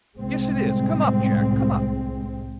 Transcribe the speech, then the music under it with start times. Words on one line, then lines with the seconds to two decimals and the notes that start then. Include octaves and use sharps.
Yes, it is. Come up, Jack; come up.'
0.17 C2 A2 G#3 C4